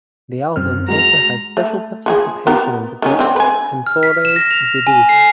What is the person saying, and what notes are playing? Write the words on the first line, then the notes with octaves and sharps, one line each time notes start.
The album also has special participation of the group Cantores de Deus.
F#2 C4 F6
G#3 F#4 A#5 F7
A3
F3 F#4 G#4
B3 G4 A#4
D#3 F#3 C#4
D3 C4
B4 G#5
F6
B6
E7
A#6
F7
G#5
C7